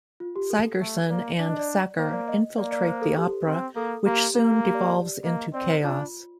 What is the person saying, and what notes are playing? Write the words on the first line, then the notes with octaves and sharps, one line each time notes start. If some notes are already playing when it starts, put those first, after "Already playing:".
Sigerson and Sacker infiltrate the opera, which soon devolves into chaos.
F4
G4
A4
A3
A#3 D5
D4 D5
D#5
D5
A#3 C5
D5
D#5
A#3 D5
D5
C5
A4
G4
C4
A#3 A4
A#3 G4
A#3
G4
D5
D5
A#3 D#5
C4 D5
C5
D4 F4